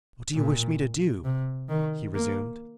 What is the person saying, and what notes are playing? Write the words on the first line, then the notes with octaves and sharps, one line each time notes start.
"What do you wish me to do?" he resumed.
A#2
C3
D#3
A#3